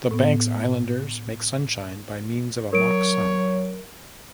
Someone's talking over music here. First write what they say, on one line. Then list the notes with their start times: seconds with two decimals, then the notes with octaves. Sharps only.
The Banks Islanders make sunshine by means of a mock sun.
0.11 A2 B3
2.73 F#3 A#4 C#5 D7